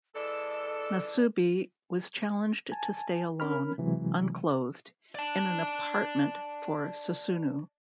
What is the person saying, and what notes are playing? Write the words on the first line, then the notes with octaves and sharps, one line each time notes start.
Nasubi was challenged to stay alone, unclothed, in an apartment for Susunu!
E3 G#3 A4 D5
G#5 A5
C#4 A#4 B5 F6
C3 E3 F#3 G#3
D5 A5